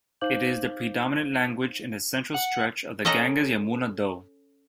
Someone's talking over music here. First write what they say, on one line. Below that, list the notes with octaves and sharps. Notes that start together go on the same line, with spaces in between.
It is the predominant language in the central stretch of the Ganges-Yamuna Doab.
D#4 C5 F5 D6 G6 F#7
F#5
C#4 A4 D#5 F#5 A#5